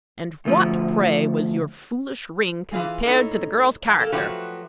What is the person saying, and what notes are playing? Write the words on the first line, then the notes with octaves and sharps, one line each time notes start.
"And what, pray, was your foolish ring compared to the girl's character?"
D2 F3
E3 F4 G#4
A2 D#4 A4
F2
A#3 A4
F3 F#3 A3 F#4 G4 B4